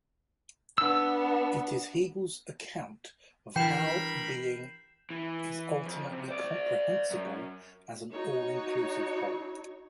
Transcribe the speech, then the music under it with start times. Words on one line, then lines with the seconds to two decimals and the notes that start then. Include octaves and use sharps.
It is Hegel's account of how being is ultimately comprehensible as an all-inclusive whole.
0.78 B3 D4 E6
3.56 G2 E3 A#4 G5 B5 G6 C7 E7
5.10 E3
5.86 F2
6.12 C3
6.29 C5 D5
7.11 F#2
8.13 D#4 F#4 C#5